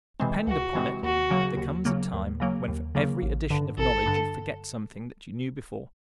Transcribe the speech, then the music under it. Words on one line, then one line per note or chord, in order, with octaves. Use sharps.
Depend upon it there comes a time when for every addition of knowledge you forget something that you knew before.
C3 E3 G#3 C4
C#2 F#4
C3 E3 G#3 C4
D#2 F#4
C#3 F#3 A#3
D#2
C#3 F#3 A#3
D#2
C#3 F#3 A#3
D#2
C#3 F#3 A#3
A1
G2 D3
A1 A4
G2 D3